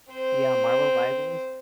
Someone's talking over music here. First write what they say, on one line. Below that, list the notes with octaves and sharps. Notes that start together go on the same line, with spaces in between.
Yeah, Marvel Rivals
C4 C5